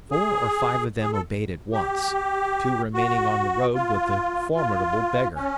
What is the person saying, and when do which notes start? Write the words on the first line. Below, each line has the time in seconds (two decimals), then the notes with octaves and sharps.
Four or five of them obeyed at once, two remaining on the road with the formidable beggar.
0.11 G#4
1.02 G#4
1.13 A4
1.73 G4
2.94 F#4
3.74 F4
4.56 F4
5.35 C#4